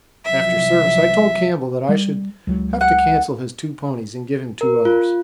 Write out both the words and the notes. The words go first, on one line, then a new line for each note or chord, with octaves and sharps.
After Service I told Campbell that I should have to cancel his two ponies and give him two others.
C2 F3 F#3 E5
G3
C#2 F#3
F#5
A#4
F4